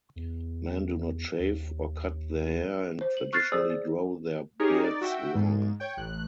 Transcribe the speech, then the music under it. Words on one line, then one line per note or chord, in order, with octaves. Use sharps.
Men do not shave or cut their hair and traditionally grow their beards long.
E2
D#2
C5
F#7
C#6 F6 F#6 G#6 A6 C7
G#4 C5 D5 E6
D5
D#4 G4 G#4 A#4 C#5
D#4 D5
F#4 E5 G5
G#2
C#5 G5
A1 F#6